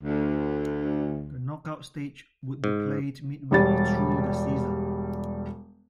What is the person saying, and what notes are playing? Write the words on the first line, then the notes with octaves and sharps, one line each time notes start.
The knockout stage would be played midweek through the season.
D2
G#2
E1 G3 A6